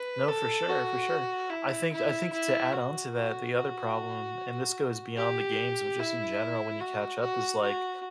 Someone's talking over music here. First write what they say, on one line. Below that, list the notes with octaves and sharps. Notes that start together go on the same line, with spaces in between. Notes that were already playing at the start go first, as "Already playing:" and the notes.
No, for sure, for sure. I think I think to add on to that, the other problem, and this goes beyond the games, but just in general, when you catch up is like,
Already playing: B4
A4
F#4
E4
E4
E4
F#4
F#4
F#4
G4
E4
F#4
F#4
F#4